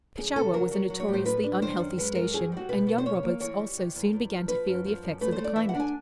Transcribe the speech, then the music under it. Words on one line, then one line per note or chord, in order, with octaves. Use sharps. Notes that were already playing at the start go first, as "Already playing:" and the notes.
Peshawar was a notoriously unhealthy station, and young Roberts also soon began to feel the effects of the climate.
F#2 G#4
C#3 A4
F#3 A#4
F#3
F#3
C#5
A2
C5
A2 B4
D4
D#3 C5
F#2
G#3 B4
F#2 A#4
C4 G#4
G3 F#4
B2 B4
B2
C5
C#3 C#5
A#3
E3 C#5
G3
C3
E2
E2
F3
F3 B4
F#2
F3
F#2
A3 B4
C5
A3
D5
E3 E5
F#5
D4
G#5